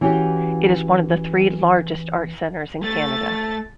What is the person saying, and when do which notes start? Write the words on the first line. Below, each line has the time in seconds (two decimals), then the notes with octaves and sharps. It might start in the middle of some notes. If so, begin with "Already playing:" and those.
It is one of the three largest arts centres in Canada.
0.01 E3 C#4 F#4 G4
2.84 A3 A6